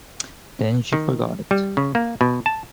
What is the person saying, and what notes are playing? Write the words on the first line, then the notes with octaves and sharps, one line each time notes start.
Then she forgot it.
D#3
G3
C#3
A#3
B2
A5